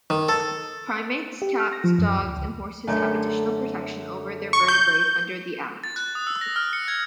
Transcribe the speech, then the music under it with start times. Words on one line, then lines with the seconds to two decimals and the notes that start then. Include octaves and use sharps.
Primates, cats, dogs and horses had additional protection over other vertebrates under the Act.
0.10 D#3
0.29 A4
1.42 G4
1.60 F6
1.73 A#6
1.84 F3
1.99 F#2
2.18 D2
2.37 C#2
2.87 F#2 D3 A3
4.53 C#6
4.68 G6
5.84 A6
5.96 F#6
6.15 D#6
6.27 E6
6.41 A#6
6.56 F6
6.73 C#7
6.88 G#6